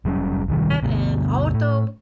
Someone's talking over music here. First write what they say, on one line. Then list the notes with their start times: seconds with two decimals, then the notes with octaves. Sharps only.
and "auto,"
0.05 F1 F#3 G3 C#4
0.48 D1 C3 D#3 G3
0.83 G1 D2 B2
1.54 A2